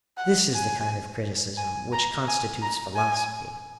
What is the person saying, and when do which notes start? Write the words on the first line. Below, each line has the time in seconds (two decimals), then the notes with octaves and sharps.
This is the kind of criticism which constitutes philosophy.
0.17 F#5
0.53 G#5
1.57 G#5
1.93 A#5
2.28 G#5
2.62 A#5
2.96 G#5